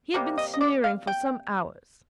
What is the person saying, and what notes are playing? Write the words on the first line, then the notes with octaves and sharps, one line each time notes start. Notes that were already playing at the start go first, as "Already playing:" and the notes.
He had been sneering for some hours.
C3 G3 A#3
D#5
D#5
D5
F5
G5